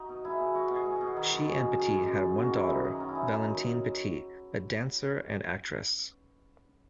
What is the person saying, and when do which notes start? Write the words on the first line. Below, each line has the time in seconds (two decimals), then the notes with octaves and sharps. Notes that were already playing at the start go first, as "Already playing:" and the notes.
She and Petit had one daughter, Valentine Petit, a dancer and actress.
Already playing: D#4 F#4
0.09 B2
0.25 G#3 E4
0.40 B2
0.55 G#3 F#4
0.70 B2
0.76 G#4
0.86 G#3
0.96 B2 F#4
1.17 D#3 D#4
1.32 F#2
1.47 F#2
1.62 G#3
1.77 D#3
1.93 F#2
2.08 F#2
2.24 G#3
2.39 D#3 F#4
2.54 F#2 E4
2.69 F#2 D#4
2.84 F#3 D#4
3.00 D#3 C#4
3.09 E4
3.15 F#2 D#4
3.31 F#2 D#4
3.46 F#3